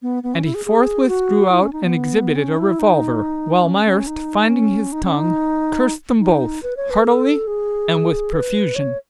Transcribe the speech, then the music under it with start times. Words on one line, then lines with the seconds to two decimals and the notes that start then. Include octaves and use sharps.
And he forthwith drew out and exhibited a revolver, while Myerst, finding his tongue, cursed them both, heartily and with profusion.
0.02 B3
0.23 B3
0.34 C#4
0.44 E4
0.55 G#4
0.66 G#4
1.08 F#4
1.51 E4
1.62 C#4
1.73 D#4
1.83 B3
2.36 C#4
2.58 E4
2.79 D#4
3.63 C#4
3.85 C#4
4.07 D#4
4.49 C#4
4.92 D#4
5.04 C#4
5.16 D#4
6.20 D#4
6.63 B4
6.77 C#5
6.90 B4
7.04 A4
7.47 G#4
8.33 B4
8.75 C#5